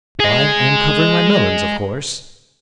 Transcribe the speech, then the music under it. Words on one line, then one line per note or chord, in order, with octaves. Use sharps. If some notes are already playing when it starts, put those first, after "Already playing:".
"Why, I am covering my melons, of course!"
G#4 D#5